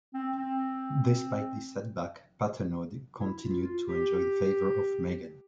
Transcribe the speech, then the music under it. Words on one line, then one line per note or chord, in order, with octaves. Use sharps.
Despite this setback, Patenaude continued to enjoy the favour of Meighen.
C4
C4
E4
F4
F4
G4